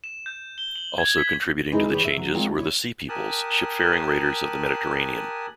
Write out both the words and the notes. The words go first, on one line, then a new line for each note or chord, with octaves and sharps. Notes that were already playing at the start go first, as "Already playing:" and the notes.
Also contributing to the changes were the Sea Peoples, ship-faring raiders of the Mediterranean.
E7
G6
G7
F#7
G#6
B6
G#3 C4 D#4 E4 B4
G4 B4 C#5
E5
F#3
G#3 C4 F4 A#4 C#5 F#5
E4 C#5
G4 A#4 G#5 A5 D#6 F#6